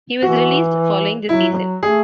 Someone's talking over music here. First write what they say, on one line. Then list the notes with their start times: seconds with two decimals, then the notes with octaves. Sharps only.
He was released following the season.
0.22 E3 F#4
1.29 F#3 E4
1.83 A3 G#4